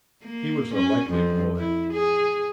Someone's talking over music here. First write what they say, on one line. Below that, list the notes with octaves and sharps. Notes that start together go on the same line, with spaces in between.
He was a likely boy.
A#3
C#4
F2
E4
G#4